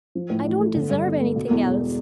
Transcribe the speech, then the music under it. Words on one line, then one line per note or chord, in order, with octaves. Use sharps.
'I don't deserve anything else.
F3
A2
A1
A3
D3
G2
G1
A3
B2
E2
E1